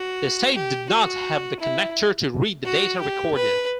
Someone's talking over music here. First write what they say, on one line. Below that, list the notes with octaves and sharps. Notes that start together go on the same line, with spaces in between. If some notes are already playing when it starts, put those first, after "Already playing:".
The State did not have the connector to read the data recorder.
Already playing: F#4
G4
F#4
E4
F#4
G4
B4